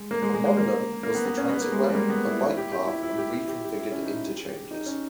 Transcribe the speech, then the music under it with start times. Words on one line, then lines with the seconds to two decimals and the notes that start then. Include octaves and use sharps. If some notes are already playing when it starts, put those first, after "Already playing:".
Among them was the transitway, a bike path and reconfigured interchanges.
Already playing: G#3
0.11 A#3
0.22 G#3
0.34 G#3
0.45 G#3
0.57 A#3
1.03 A#3
1.15 B3
1.26 B3
1.37 C#4
1.49 B3
1.60 A#3
1.72 G#3
1.83 G3
1.90 G#3
1.95 A#3
2.10 B3
2.26 E4
2.41 E4
2.57 G4
2.72 G4
2.87 E4
3.03 E4
3.18 G4
3.33 E4
3.48 G4
3.64 G4
3.79 E4
3.91 C#4
4.02 D#4
4.14 E4
4.25 G4
4.36 G#4
4.49 G4
4.71 D#4
4.86 C#4